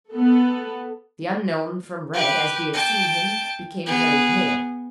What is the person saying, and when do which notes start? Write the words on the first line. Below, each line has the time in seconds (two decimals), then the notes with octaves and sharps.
The unknown, from red, as we have seen him, became very pale.
0.12 B3 A4
2.14 G4 B4
2.73 G5 A5
3.86 B3 G#4